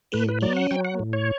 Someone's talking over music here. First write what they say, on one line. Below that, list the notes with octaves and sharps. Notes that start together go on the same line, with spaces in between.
It is.
A2 B4
B4
F#3 D5
F#5
F#3 G5
F#5
A2
C#5